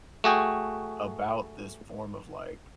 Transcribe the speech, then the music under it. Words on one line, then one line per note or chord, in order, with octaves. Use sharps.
about this form of, like
A3 F#4 G#4 G5